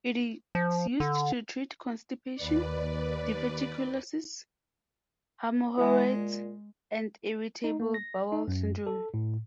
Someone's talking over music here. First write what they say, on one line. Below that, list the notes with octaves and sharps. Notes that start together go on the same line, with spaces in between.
It is used to treat constipation, diverticulosis, hemorrhoids and irritable bowel syndrome.
F3
D3
D#2 B4 D5
E3 G#3
A#2
D#4
A#3
A#6
D#4
F#2
A4
A2